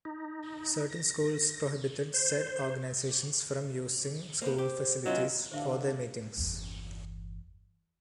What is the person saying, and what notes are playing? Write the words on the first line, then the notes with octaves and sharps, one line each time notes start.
Certain schools prohibited said organizations from using school facilities for their meetings.
D#4
A#6
C5
A#3 B3 C5
G4 C5
F#3 B3 C#4 E4 F4 D#5
A1 D3 D4 C5 E5 F5
G1 E2